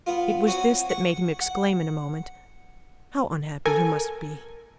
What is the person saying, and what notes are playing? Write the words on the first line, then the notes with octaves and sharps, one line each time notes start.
It was this that made him exclaim in a moment: "How unhappy you must be!"
B3 F4
C4 F#4 C#5 F#5 G#5
F#5 C#6
F#5
A4 A#4 G#5